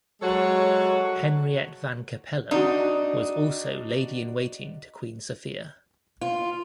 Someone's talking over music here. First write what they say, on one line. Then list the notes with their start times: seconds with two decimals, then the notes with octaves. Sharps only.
Henriette van Capellen was also lady-in-waiting to Queen Sofia.
0.21 F#3 G#3 F#4 A4 C#5
2.51 D4 D#4 F#4
6.21 F4